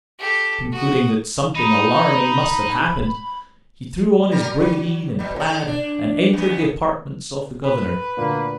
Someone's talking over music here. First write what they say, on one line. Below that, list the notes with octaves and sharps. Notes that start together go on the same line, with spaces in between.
Concluding that something alarming must have happened, he threw on his brigandine and plaid, and entered the apartments of the governor.
G4 A4
F#4 D#6
D#4 B5
F#3 G3 A#4
F#3
B2 G3
G#2 A4
D4
F2 B3
B4
D2 A#2 D3 A#3